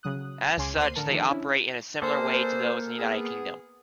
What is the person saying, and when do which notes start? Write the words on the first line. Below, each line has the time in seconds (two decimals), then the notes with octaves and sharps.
As such, they operate in a similar way to those in the United Kingdom.
0.03 C#3 F#3 D#6 F#6
0.57 C#2 C#3 C#4 G#5 C6 D6
0.76 D2 A#3 C5 C7 D#7
0.95 A1 D3 A#4 A5 C#7
1.09 D#3 F3 A3 D4
1.28 C#4 D4 E4
2.02 A#3 G#4 A4 B4 C5 D5
2.99 B3 G#4